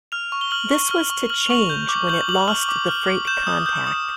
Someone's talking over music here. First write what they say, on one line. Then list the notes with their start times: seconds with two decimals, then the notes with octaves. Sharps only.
This was to change when it lost the freight contact.
0.12 F6 F7
0.32 C#6
0.41 G7
0.51 F6 F#7
0.71 C#6
0.91 F6
1.10 C#6
1.30 F6 F#7
1.41 F7
1.50 C#6 F#7
1.70 G6
1.89 D6
2.09 G6 F#7
2.29 D6 F#7
2.48 F6 F#7
2.69 D6
2.88 F6
3.07 D6
3.27 G6 E7
3.47 D#6
3.66 G6
3.87 D#6